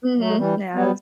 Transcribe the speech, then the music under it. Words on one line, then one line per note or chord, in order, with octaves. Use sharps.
Mhm, yeah, it's
F#3 A3
E3 G3
G3 B3